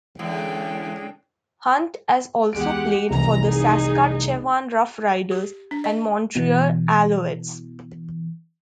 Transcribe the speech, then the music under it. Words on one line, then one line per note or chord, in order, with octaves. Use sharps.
Hunt has also played for the Saskatchewan Roughriders and Montreal Alouettes.
E2 D3 G#3 C#4 G5
E2 G#3 G4 F#5 D7
F1 C2 E3 A#5
D#4 G#4
G4
D4
D#5
B2 E3